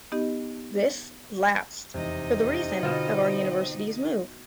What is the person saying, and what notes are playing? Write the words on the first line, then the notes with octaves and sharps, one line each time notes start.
This lapsed for the reason of our university's move.
B3 D#4 G4 D#5
F1 E2 C3 D#4 D#5
B2 D3 B3 C4 F4